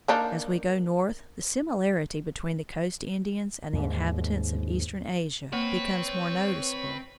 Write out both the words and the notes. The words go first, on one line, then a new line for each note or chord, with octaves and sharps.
As we go north the similarity between the coast Indians and the inhabitants of eastern Asia becomes more noticeable.
A#3 D4 D#4
D#2 G#2
A#3 C4 B4 C#5